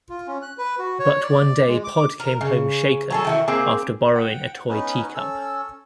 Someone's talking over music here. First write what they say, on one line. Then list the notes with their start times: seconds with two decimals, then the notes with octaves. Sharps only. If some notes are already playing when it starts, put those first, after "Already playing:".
But one day Pod came home shaken after borrowing a toy tea cup.
0.09 F4
0.27 C#4
0.42 F#6
0.58 B4
0.79 F#4
0.99 C#5
1.22 D5
1.67 G#3
1.84 D6
2.20 A#4
2.41 C#3
3.10 F#3 G#4 A4
3.25 D#3 E3 F#4
3.48 A#3 C4 G#4
4.15 F#5 G5
4.69 B3 C#4 D#4 B4
5.15 C#4 A4 E6